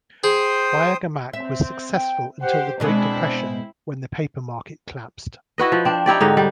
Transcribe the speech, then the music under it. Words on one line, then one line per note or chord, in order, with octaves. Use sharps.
Wayagamack was successful until the Great Depression when the paper market collapsed.
G#4 C5 G5 D#6
C4 E5
G5
G4 C5 F#5
B2 G#3 B3 C4 D4 E4
E4 F#4 B4 D#5
F3
C4 D4
D#4 E4 G4 D5
G#2 D3 D#4
G3